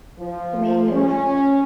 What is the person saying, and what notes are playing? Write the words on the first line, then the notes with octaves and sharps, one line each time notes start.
The main move.
F3
C#4